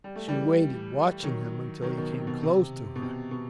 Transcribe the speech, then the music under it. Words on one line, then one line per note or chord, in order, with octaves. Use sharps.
She waited, watching him, until he came close to her.
G3
A3
E3 G3
D#3 F#3
D#3 F#3
B2 D#3
C3
B2
C3
B2
C3
B2